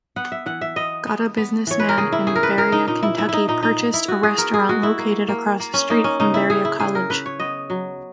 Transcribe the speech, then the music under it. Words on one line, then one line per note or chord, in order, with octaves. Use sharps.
Gott-a businessman in Berea, Kentucky-purchased a restaurant located across a street from Berea College.
B3 F#5
E5
E3 F#5
E5
B3 D#5
B3
B3
E3 C#5
B4
A#4
C#3 G#4
E4
C#3 G#4
A#4
B4
B3 A#4
D#4
A#2 D#4
E4
B3 E4
D#4 E4
A#2 D#4
D#4
B3
E4
B3 F#4
G#4
B3 A#4
G#4
G#3 F#4
E4
A#3
A#3
A#3
C#4
A#3 D#4
C#4
C#3 D#4
E4
C#3 G#4
E4
C#3 G#4
A#4
C#3 B4
C#5
B3 D#5
F#3